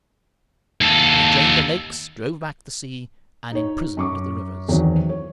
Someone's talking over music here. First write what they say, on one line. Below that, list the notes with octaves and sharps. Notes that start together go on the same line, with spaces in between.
They drained the lakes, drove back the sea, and imprisoned the rivers.
D#2 A4
D#4 C#5
F#2 C#6 D6
E2 D#3 E3 F#3 C4
C#5